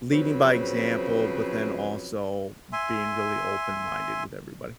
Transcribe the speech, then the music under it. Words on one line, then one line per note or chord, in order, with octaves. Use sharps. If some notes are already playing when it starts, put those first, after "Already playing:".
leading by example, but then also being really open-minded with everybody.
C#3 F3 F#3 C4 B4
E5 G#5 C6